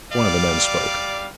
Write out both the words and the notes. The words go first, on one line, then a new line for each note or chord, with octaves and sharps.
One of the men spoke.
G3 D5 F5